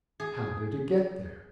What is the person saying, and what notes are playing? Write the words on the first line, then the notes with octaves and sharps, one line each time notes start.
How did it get there?
G#4